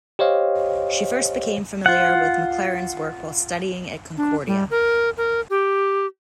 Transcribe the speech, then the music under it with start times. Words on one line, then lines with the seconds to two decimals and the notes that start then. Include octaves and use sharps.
She first became familiar with McLaren's work while studying at Concordia.
0.19 G4 C5 C#5 D#5 F5
1.86 F4 F#5
4.17 D4
4.47 G3
4.71 A#4
5.17 A#4
5.50 G4